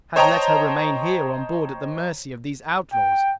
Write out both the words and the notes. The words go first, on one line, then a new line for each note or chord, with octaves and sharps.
Had let her remain here on board at the mercy of these outlaws.
C5 C#5 D#5 G5 A5 A#5
G5